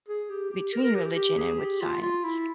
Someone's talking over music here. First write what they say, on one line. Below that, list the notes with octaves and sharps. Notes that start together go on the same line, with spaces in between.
between religion and with science.
G#4
G4
G4
A#4
A#4
G4
G4
G4
G#4
G4
F4
F4
E4